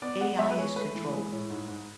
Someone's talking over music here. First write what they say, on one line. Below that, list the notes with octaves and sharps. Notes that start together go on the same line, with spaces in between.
AI is controlling?
B3 D5
B3 F#5
G#3 E5
B4
G#3 C#5
A3 B4
E3
G#3
A2
G#2
G#2